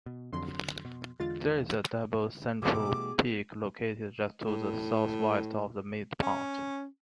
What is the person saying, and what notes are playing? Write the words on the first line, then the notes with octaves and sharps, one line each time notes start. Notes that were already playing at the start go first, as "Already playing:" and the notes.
There is a double central peak located just to the southwest of the midpoint.
B2
F2 D3 F#3 C6
B2
E2 D3 G#3 F4 A6
B2 E3 G3 A3 G#4 D6
A2
C#4